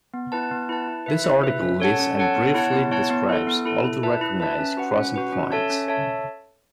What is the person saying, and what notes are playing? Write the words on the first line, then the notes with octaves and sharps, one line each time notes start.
This article lists and briefly describes all of the recognised crossing points.
B3
E4 B4 A5
B3
E4 B4 A5
E4
B4 E5
E4
B4 E5
C#4
A4 C#5 F#5 A5
C#4
A4 C#5 F#5 A5
B3
E4 C#5 F#5 A5
B3
E4 C#5 F#5 A5
B3
E4 A4
B3
E4 A4
E4
B4 E5 A5
E4
B4 E5 A5
C#4
F#4 B4 F#5
C#4
F#4 B4 F#5
C#4
A4 C#5 E5 A5
C#4
A4 C#5 E5 A5